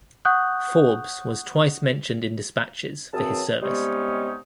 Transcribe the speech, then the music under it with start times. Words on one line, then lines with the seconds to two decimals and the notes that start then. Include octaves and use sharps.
Forbes was twice Mentioned in Dispatches for his service.
0.25 F#5 C#6 D#6 F#6 G6
3.13 F#2 C#3 E3 C4 A5 D#6
3.62 C3 G3 G#3 B3 C#4 D#4